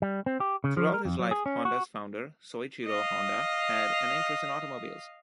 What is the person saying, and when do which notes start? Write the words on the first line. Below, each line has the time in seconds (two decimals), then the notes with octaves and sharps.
Throughout his life, Honda's founder, Soichiro Honda, had an interest in automobiles.
0.02 G3
0.26 C4
0.40 G4
0.64 C#3
0.77 F3
0.94 A#4
1.05 F2
1.19 F#3
1.31 G#4
1.46 C#4
1.65 F#4
2.87 D#5 F5